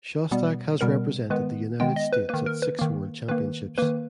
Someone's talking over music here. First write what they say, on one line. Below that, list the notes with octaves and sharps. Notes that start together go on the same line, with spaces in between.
Shostak has represented the United States at six World Championships.
B2 G3 B3
B2 G3 B3 A#4
D#3 G#3 B3 B4
D#3 G#3 B3 G5
D#5
B4
D#3 A#3 B4
A#4
B4
D#3 A#3
D#3 A#3 B4
D#3 A#3 B4